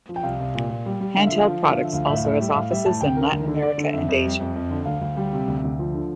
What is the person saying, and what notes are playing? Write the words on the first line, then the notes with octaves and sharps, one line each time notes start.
Hand Held Products also has offices in Latin America and Asia.
F3
G5
C2 F5
C2
A#2
A#2
G3
G3
D3 F5
E5
F3
F5
F3
D3 E5
F5
F3
E5
D2 F5
A2 E5
F5
A2 E5
G3
E5
A2 F5
G3 E5
A2 A5
D2 G5
D3 A#4
D2 A#4
D3
D3 D5
D3
F2 E5
F2
G3
F2
F2
D3
D2 F5
D2
G3
C3
D2
D2
F3
D3